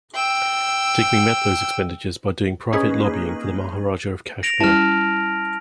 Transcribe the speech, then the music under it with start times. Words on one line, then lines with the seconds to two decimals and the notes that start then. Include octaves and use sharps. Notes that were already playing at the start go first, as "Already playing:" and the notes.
Digby met those expenditures by doing private lobbying for the Maharaja of Kashmir.
0.15 G5 E6
2.72 A#3 C#4 D#4 G#4 B4
4.43 A#6 D7 F7
4.60 G3 C#4 E4 A5 F6